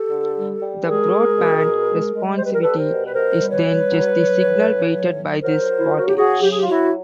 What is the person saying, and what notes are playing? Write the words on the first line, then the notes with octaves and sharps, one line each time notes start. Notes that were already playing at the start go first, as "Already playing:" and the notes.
The broad-band responsivity, is then just the signal weighted by this wattage.
Already playing: G4 A4
D3
G3
G3
G#3 G#4 A#4
G#3
B2
B2
G#3
G#3
G3 C5
B4
A#4
G3 A4 B4
A#4 C5
B2
B4
B2 A#4 C5
G3
B4 C#5
G3
F#3
F#3
A2
A2
F#3
F#3
F#3 A#4 C5
F#3
E4
C#3 F4
F#4
G4
C#3 F#4 G#4
F#3 G4
G#4
F4 G4
F#3 E4 F#4